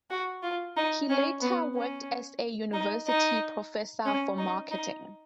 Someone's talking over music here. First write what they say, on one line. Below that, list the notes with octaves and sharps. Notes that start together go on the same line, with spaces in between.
He later worked as a University professor for Marketing.
F#4
F4
D#4
C#4
B3
C#4
D#4
D#4
C#4
D#4
D#4